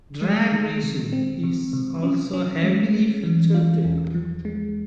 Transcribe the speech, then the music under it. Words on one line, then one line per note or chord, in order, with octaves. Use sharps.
Drag racing is also heavily featured there.
G#3
D#3
C3
C4
C3
C3
C#4
C#4
G#3
G#3
E3
F4
E2
F3
G#3